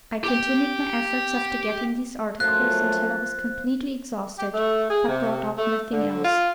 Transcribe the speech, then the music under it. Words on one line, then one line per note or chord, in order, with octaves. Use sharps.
I continued my efforts, after getting these articles, until I was completely exhausted, but brought up nothing else.
G4 G5
F#2 F3 A3 F#6
G4
A3
G#4
C3
A3
D3
F4